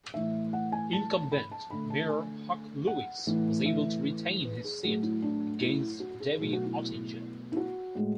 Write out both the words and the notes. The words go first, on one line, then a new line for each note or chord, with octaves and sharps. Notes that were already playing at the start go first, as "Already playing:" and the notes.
Incumbent Mayor Huck Lewis was able to retain his seat against Debbie Ottinger.
A2 E3 A3 E5
F#5
G#5
A5
A5
B5
A5
D3 A3 B5
A5
G#5
F#5
A2 E3 A3
E5
B4
G#4
A2 F#3 A3 G#4
E4
D4
E4
F#4
G#4
B2 F#3 A3 G#4
F#4
E4
E4
F#4
A2 G#3